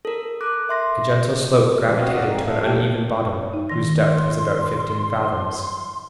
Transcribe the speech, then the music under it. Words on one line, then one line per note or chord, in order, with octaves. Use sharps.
A gentle slope gravitated to an uneven bottom whose depth was about fifteen fathoms.
A4 A#4
A4 D6 F#6
E5 C6 A#6
C#3 F3 G3 G#3
D2 C4 F#4 D#5 F5
E2 D5 D#5 F5 F#5
E3 C4 A#5
A4 E5 F5
G4 A4 G5
D#4
D#3 C6 A#6